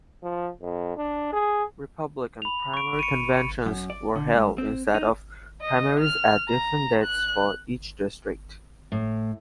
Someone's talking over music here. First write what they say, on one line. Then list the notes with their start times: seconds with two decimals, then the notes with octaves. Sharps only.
Republican primary conventions were held instead of primaries at differing dates for each district.
0.23 F3
0.61 F2
0.97 D4
1.33 G#4
2.42 B5 F7
2.74 C#6 D7
2.99 C#7 D#7
3.36 C#7
3.66 F#2
3.90 D5
4.16 D3
4.34 G#2
4.58 C4
4.94 D#4
5.61 D#5
6.00 F6
6.48 A#5
7.04 F#6
8.92 A2